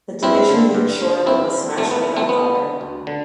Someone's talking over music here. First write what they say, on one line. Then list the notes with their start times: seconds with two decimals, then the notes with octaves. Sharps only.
The division made shore, but was smashed by gunfire.
0.23 G2 C4 E4
0.49 D3
0.75 G2
1.01 D3
1.26 G2 C4 E4
1.52 D3
1.77 G2 A3 C4
1.91 B3
2.04 D3 B3
2.16 A3 C4
2.29 D2 B3
2.55 D3
2.81 D2
3.07 D3